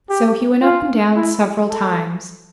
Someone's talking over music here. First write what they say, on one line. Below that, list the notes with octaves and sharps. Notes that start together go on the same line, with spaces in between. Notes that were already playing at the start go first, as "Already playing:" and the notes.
So he went up and down several times.
G4
F4
E4
A4